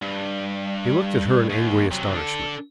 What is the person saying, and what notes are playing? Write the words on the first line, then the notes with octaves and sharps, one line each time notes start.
He looked at her in angry astonishment.
G2
D#2
C3 F#3
D4 A4